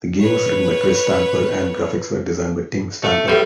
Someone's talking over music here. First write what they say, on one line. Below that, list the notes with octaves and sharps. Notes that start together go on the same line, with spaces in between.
The game was written by Chris Stamper and graphics were designed by Tim Stamper.
B4 C#5
A3
B1 A2 G3